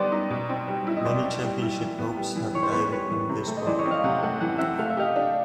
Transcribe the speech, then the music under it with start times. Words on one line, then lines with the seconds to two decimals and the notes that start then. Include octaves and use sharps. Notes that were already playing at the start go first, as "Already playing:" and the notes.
Many championship hopes have died in this bunker.
Already playing: D3 G3 B3 D#4 C5 D5
0.12 D#4
0.30 B2
0.49 C4
0.68 G3
0.87 E4
0.97 D#5
1.05 B2 C5 D5
1.24 C4
1.43 G3
1.62 E4
1.80 E3
1.99 B3
2.17 G3
2.36 E3
2.55 E3 C#5
2.63 C5
2.71 B3 B4 C#5
2.92 G3 B4 C#5
3.11 E3
3.29 C3
3.48 A3
3.57 D#5
3.66 E3 C5 D5
3.79 C#5 D#5
3.85 C4
3.91 D#5 F5
4.04 C3 F#5
4.23 A3 F#5
4.40 E3 F#5
4.58 C4 E5 F#5
4.79 A3 F5
4.90 E5
4.97 G4 D#5 F5
5.16 D4